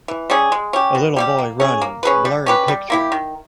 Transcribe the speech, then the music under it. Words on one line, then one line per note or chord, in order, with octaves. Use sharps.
A little boy running, blurry picture.
E3
G3 C#4 G#4
G#3
C#4 G4
B2
G3 C#4 G4
A#3
C#4 G#4
A#3
C#4 G#4 B4
G3
C#4 G4 B4
G3
A#3 E4 G4
D#3